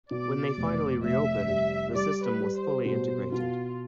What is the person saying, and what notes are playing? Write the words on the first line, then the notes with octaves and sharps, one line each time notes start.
When they finally reopened, the system was fully integrated.
B2 D5
F1
F1 E5
G3
G3 D5
B4
G3
C5
B2 C5
B2 F4